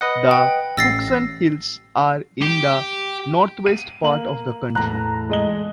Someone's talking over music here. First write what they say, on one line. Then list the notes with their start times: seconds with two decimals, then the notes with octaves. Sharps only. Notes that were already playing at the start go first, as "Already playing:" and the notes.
The Cookson Hills are in the northwest part of the county.
0.01 B4 D#5 F#5
0.31 G5
0.77 A1 E6 A6 A#6 C7
2.42 G4
3.66 D#7
4.03 A#3 F#7
4.75 E2 A2 A#5 F#6
5.29 G#3 D#5 G7